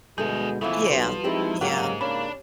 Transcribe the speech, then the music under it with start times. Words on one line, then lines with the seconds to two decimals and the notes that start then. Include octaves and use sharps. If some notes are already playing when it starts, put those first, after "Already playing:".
Yeah, yeah.
0.18 D2 B2 G#3 G#4 A4 E5 G6
0.61 C#3 E3 F3 G#3 A3 B3 E4 F4
0.91 B1 F3 G3 F#4 B4
1.24 G#3 C4 D#4 E4 G4
1.61 G#2 C#3 F#3 G#3 A#3 F4 G4 F#5
2.01 G#2 C#3 A#3 C#4 D4 B5